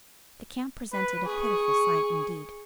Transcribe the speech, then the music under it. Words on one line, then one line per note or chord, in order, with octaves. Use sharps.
The camp presented a pitiful sight, indeed.
B4
G#4 C#6